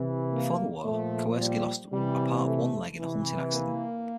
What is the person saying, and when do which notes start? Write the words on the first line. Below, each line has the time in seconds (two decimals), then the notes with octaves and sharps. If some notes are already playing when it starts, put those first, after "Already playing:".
Before the war Kowerski lost a part of one leg in a hunting accident.
Already playing: C3 E3
0.31 A#3
0.84 A#2 F3 A3
1.38 G3
1.92 C3 E3 G3
2.45 A3
2.99 C3 E3
3.53 A#3